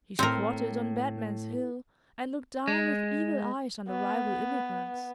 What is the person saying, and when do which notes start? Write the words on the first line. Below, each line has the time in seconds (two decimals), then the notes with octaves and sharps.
He squatted on Batman's Hill, and looked down with evil eyes on the rival immigrants.
0.19 A2 C4 A#4
2.68 G#3
3.89 B3